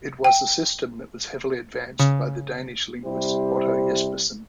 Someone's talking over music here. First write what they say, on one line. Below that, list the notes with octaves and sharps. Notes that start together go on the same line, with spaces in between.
It was a system that was heavily advanced by the Danish Linguist Otto Jespersen.
G5
C#3
C3 G3 E4 G4 C5